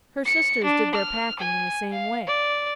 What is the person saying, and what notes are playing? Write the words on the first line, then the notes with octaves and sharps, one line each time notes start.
Her sisters did their packing in the same way.
C#7
D4
F6
G#5
F5
D5